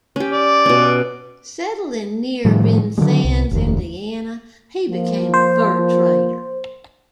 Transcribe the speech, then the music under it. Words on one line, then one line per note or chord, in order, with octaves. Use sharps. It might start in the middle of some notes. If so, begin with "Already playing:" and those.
Settling near Vincennes, Indiana, he became a fur trader.
C#4 G4
D5
B2 C#4
A2 D#3 F3 G3
D3 D#3 F#3 G#3
C2
F1 D#2
F3 A#3
C5